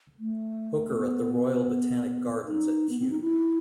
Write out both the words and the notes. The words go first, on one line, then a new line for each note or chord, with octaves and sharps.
Hooker at the Royal Botanic Gardens at Kew.
A3
B3
D#4
B3
C4
D#4
E4